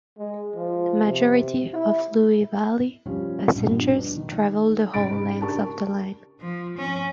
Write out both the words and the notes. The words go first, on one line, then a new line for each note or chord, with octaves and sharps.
The majority of Looe Valley passengers travel the whole length of the line.
G#3
F3
C3
E4
F3 G3 C#4
A#1 G2 B2 G3
D4 B4
D#3
G#2 C#3 B5 A6 D7
D4 G4 A#4 A5 C#6
F3
C#4